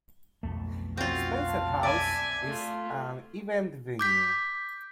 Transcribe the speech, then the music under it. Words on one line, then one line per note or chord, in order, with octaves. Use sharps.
Spencer House is an event venue.
B1 F2 A3
C4 F4 F#4 F5
A5
D5 E5 G#5
A3 F4
D6 G6 B6